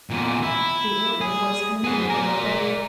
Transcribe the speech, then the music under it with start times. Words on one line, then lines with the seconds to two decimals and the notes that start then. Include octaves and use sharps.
The order was immediately obeyed.
0.10 E2 A#2
0.43 E4
1.21 G#4
1.84 G#4 F#5
2.10 A#4 D5